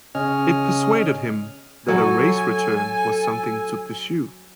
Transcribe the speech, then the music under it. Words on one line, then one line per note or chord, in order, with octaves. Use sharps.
It persuaded him that a race return was something to pursue.
C#3 C#4 D#5 G#5 F6
F#3 A4 G#5